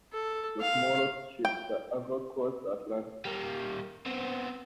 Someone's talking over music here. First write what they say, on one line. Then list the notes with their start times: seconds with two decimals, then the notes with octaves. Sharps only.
The Smallest Ship that Ever Crossed the Atlantic!
0.13 A4
0.61 F5
1.45 G5
3.25 G3 A#3
4.06 B3 C4